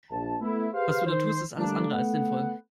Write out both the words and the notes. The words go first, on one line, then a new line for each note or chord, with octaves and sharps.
Was du da tust ist alles andere als sinnvoll.
A#1 A5
A3 B3 E4
G4 G#4 B4 C5 F5
D#3 C5
D3 G3 A3 A#3 D4
A3 B3 F#5